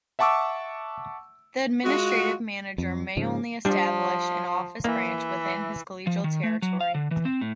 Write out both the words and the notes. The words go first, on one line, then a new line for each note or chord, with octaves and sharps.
The administrative manager may only establish an office-branch within his collegial territory.
E5 F#5 A5 C#6 D6 E6
G#3 F4 F#4
F2
G#2 C#3 F3
F3 G3 D4
E3 A#3
F3
D#3
A3
F#3
F5
D3
E3
C4
A2